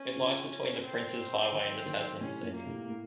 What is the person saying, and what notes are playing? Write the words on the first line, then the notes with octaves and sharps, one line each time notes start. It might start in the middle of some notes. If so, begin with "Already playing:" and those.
It lies between the Princes Highway and the Tasman Sea.
Already playing: C#4
C#3 F3
C4
D#3 F#3
D#3 F#3
A2 C3 C#4
F#2 A#2
A#3
A2 C3
A2